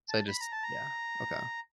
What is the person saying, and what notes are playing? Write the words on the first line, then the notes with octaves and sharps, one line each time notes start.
So I just Yeah, okay. I
A5
B5
A#5
A5
A#5